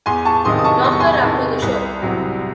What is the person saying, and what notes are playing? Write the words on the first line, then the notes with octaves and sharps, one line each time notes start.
Doctor after the show.
E2 G#5 C6
A5 C#6
C3 D#3 C6 D#6
D#6
A5 C#6
E2 C6
C#6
G#5 C6
C3 D#3
C2
C3 F#3